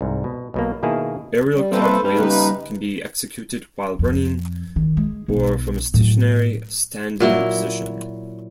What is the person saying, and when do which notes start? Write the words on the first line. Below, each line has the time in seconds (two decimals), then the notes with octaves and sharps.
Aerial cartwheels can be executed while running or from a stationary, standing position.
0.01 C2 G#2
0.24 B2
0.54 B1 B2 A#3
0.83 B2 D#3 A#3 E4 G#4 A5
1.54 G3
1.72 G3 A#3 C4 A4 B4 C5
2.05 G4 B4
2.17 G2 C#3 G3 D#4 B4
3.99 F2
4.76 D#3
4.97 G#3
5.28 B1 B2
5.94 A2 F#3
7.20 A#2 F#3 E4